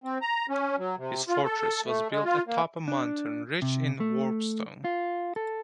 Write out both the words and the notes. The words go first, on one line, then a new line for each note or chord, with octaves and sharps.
His fortress was built atop a mountain rich in warpstone.
C4
A#5
C#4
F#3
C3
F4
A4
A3
G#3
F4
A#3
D4
C3
A3
F4
A4